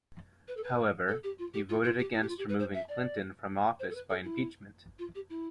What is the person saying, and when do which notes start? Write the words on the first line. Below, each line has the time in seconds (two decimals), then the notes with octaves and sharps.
However, he voted against removing Clinton from office by impeachment.
0.48 B4
0.57 A4
0.63 B4
1.09 A4
1.24 G4
1.39 F4
1.54 G4
1.69 F4
1.84 F4
1.99 G4
2.14 E4
2.22 G4
2.29 F4
2.38 G4
2.49 B4
2.59 C5
2.74 E5
2.89 D5
3.79 C5
3.90 A4
3.95 B4
4.09 A4
4.24 E4
4.99 F4
5.15 G4
5.30 E4